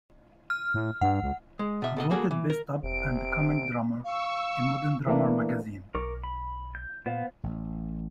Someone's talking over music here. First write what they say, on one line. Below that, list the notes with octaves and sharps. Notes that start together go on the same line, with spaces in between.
Voted best Up and Coming drummer in Modern Drummer magazine.
F6
A2
G2 F#5
C#2
G#3
B2 E5
B2 A4 D#5
A#3 F#4 G#4 A4
E3
A#4
F1 C3 D7
F5 C#6 E6
E3 A3 A#3 D4
B1 A#4 C#6 D6
B5
G6
A#2 B3 C5 F5
A1